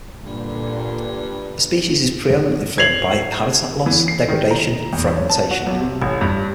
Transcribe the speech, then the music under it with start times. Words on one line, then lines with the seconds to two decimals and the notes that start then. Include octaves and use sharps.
The species is pre-eminently threatened by habitat loss, degradation and fragmentation.
0.23 G2 A#2 D3
2.78 G#6 C7 F7 F#7
3.86 E3
4.08 C7
4.29 D#3
4.51 A#5
4.93 E2
5.13 C#5
5.30 A5
5.51 F#4
5.67 B1
5.81 C3
6.02 A1
6.21 G2